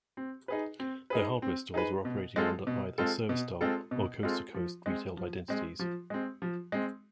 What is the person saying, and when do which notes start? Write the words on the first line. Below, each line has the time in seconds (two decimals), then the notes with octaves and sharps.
Their hardware stores were operating under either ServiStar or Coast to Coast retail identities.
0.17 C4
0.48 D#4 G#4 B4
0.80 C4
1.10 D#4 G#4 B4
1.42 C4
1.74 D#4 G#4 B4
2.05 B2
2.36 G#3 C4 F4 A4
2.67 B2
2.98 G#3 C4 F4 A4
3.29 B2
3.61 G#3 C4 F4 A4
3.91 B2
4.23 G#3 C4 F4 A4
4.54 F3
4.86 G#3 C4
5.17 F3
5.48 G#3 C4
5.80 F3
6.10 G#3 C4
6.42 F3
6.72 G#3 C4